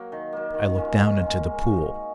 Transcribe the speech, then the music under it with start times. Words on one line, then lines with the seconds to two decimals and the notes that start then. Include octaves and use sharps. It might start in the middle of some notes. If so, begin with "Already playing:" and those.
I looked down into the pool.
Already playing: F#3 A#3
0.12 D#3
0.33 F#3 A#3
0.54 D#3
0.76 A#3 C#4 F4
0.98 D#3
1.19 A#3 C#4 F4
1.40 G#3
1.61 D#4 F#4
1.83 G#3